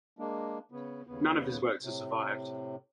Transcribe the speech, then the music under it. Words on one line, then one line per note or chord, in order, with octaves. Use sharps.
None of his works have survived.
G#3 A#3 D4
C#3 B3
D#2 C#3 B3
A2 C3